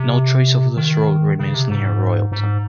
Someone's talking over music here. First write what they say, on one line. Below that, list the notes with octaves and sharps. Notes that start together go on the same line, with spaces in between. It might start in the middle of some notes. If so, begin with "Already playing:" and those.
No trace of this road remains near Royalton.
Already playing: C3
D#3
C#3
C3
G#2
G#2